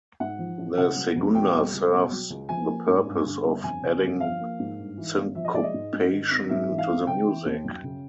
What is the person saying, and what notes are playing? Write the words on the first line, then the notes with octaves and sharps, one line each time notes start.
The Segunda serves the purpose of adding syncopation to the music.
G#2 F#5
F3
A1
C#3 F#5
F#3
F2
B2 G5
G3
C#2
B2
F#3
C#2
F3 G#5
A#3
G#2
G2
D3
G1
F2 G#5
C#3
G1
F3 F5
A#3
G#2
G2
E3
G1
F3 E5
D#5
G#3 D5
D#5
G#2
G#2
D#3
G#1
G#2 E5
E3
F5
G#1
C#3 G5
E3
D#2
F#2
C#3